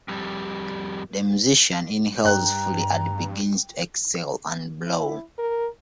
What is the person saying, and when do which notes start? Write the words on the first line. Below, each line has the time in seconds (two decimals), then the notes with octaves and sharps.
The musician inhales fully and begins to exhale and blow.
0.08 F2 G3
2.25 G2 G5 A#5 F#6
4.86 E4
5.38 A#4